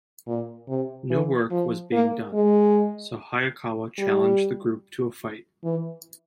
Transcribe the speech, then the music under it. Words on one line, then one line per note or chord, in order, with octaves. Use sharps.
No work was being done, so Hayakawa challenged the group to a fight.
A#2
C3
E3
F3
A#3
G#3
G3
E3